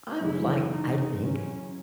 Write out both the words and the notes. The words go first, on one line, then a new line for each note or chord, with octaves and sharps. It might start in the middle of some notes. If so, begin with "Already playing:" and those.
I would like I think
F#2 C#3 E3 G#3 E4
D#4
C#4